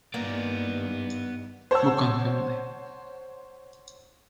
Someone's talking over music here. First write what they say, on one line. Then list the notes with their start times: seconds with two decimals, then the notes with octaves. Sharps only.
Mukang Family.
0.14 G2 D#3 A#3 B3 D5
1.71 C5 C#5 F#5 A5 E6